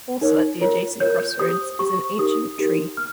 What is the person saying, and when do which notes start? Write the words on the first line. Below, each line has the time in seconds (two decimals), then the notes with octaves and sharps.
Also at the adjacent crossroads is an ancient tree.
0.21 D#4 A#4 C#5
0.61 F4 A#4 C#5
1.00 F4 A#4 C#5 G6
1.20 G6
1.39 G4 C5 D#6
1.79 G4 C5 C#6
2.19 D#4 G4 A#4 D#6
2.58 D#4 G4 A#4
2.97 F6